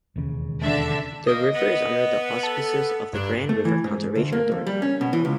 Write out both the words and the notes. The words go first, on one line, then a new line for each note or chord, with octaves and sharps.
The river is under the auspices of the Grand River Conservation Authority.
E1 D#2 C#3
D3 D4 E5
F3 G3 A#3 D#5
B3
A4
G2 F#3 D4
A3
E3
G#2
D2
A#3
F2
G3
C#4
B2
E3
C#2